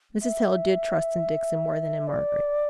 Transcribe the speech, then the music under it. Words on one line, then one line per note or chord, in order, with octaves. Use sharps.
Mrs. Hale did trust in Dixon more than in Margaret.
E5
D5